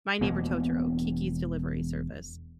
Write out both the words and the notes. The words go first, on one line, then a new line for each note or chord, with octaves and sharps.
My Neighbor Totoro, Kiki's Delivery Service,
E1 B2 A#3 B3